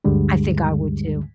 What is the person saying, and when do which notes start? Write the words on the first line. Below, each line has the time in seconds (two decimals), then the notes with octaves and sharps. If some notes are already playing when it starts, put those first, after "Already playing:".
I think I would too.
0.05 D2 G2 D3 G3 G#3